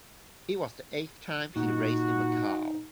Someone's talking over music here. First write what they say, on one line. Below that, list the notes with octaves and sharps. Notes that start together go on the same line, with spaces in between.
It was the eighth time he raced in Macau.
A#2 D#4 F#4